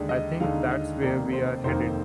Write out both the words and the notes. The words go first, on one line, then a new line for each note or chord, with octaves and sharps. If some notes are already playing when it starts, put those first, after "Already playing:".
I think that's where we're headed.
Already playing: D#2 D3 G#3 D#4 D5
D#5
D#2 D3 G#3 D#4 F5
D#5
F1 F2 D#3 A#3 D#4 D5
C5
F1 F2 D#3 A#3 D#4 C5